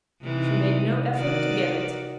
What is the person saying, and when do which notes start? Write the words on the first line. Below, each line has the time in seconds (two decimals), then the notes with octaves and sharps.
She made no effort to get it.
0.22 C3 E3 D#4
1.16 D#3 F#4 D5